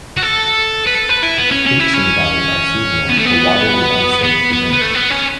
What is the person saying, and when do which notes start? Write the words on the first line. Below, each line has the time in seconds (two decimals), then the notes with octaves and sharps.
Creeks in the valley are seasonal, the water is unsafe to drink.
0.17 F#4
0.23 A4
0.87 B4
0.95 A4
1.09 B4
1.22 E4
1.38 B3
1.51 C#4
1.66 C#4
1.80 E4
1.94 C#4
3.09 B3
3.18 A3
3.25 B3
4.23 B3
4.53 B3
4.73 B3
4.81 A3
4.95 B3
5.10 C#4